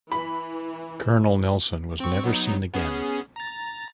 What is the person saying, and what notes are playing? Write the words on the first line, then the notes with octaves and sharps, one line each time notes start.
Colonel Nelson was never seen again.
E3 B5
C4 C#6
F#3 B3 D#4
B3 C#4 G#4
A#5 A6